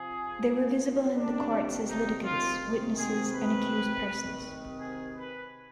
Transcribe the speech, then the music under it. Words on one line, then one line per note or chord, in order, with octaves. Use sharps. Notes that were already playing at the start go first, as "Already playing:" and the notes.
They were visible in the courts as litigants, witnesses and accused persons.
Already playing: C3 F3 G#4
C3 D#3 D4
D#4
F4
C3 D#3
G#4
B4
C3 D#3
G#4
B4